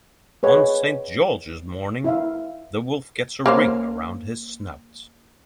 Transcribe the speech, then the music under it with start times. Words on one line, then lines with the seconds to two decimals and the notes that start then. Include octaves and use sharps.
On St. George's morning, the wolf gets a ring around his snout.
0.43 G#4 B4 C#5 D#5
2.04 E4 E5 F5
3.46 A#3 C#4 C5